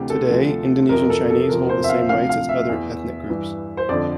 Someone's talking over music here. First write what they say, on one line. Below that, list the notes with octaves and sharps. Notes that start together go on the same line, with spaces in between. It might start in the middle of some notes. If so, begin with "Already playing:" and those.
Today, Indonesian Chinese hold the same rights as other ethnic groups.
Already playing: D2 C3 E3 G4
A4
D2 C3 F3
F2 C3 F3 A#4
A4
A4
E2 C3 F3 A#4
C5
E5
F5
D2 C3 F3 F5
F5
E5
E2 E3
G2 E3
C5
F2 D3 F3 D5